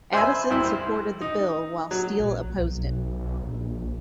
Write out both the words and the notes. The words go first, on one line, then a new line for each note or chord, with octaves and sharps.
Addison supported the Bill while Steele opposed it.
C5 D5 E5 G#5 B5
C2 E4 C5
D#4
F#3
A#1
B1
A#1